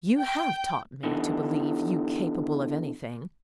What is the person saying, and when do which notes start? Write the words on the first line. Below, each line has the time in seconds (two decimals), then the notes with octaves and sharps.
"You have taught me to believe you capable of anything."
0.17 G5
1.03 E2 D3 E3